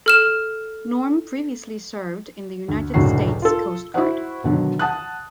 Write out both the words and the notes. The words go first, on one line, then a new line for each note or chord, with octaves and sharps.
Norm previously served in the United States Coast Guard.
A4 F6 E7
D2
F1 C#2 A2 D3 F#4 C7
F4 A4
E4 F#4 C5 F#5
B2 D3 D#3 F#3
F#5 A5 D#6 F#6